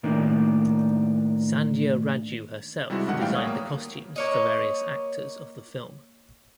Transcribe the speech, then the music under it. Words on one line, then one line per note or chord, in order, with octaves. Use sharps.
Sandhya Raju herself designed the costumes for various actors of the film.
A2 D#3 A#3 D4
C3 G3 G#3 E4 F#4
G2 B2 D3 D#3 F#5
E3 G3 A3 F5 G5
A#1 C#5 D#6
A#3
A#3 C#5 D#5